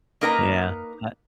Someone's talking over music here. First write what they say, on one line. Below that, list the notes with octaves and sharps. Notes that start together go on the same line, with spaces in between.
Yeah I
A#3 D#4 A#4 B4 D#5 A#5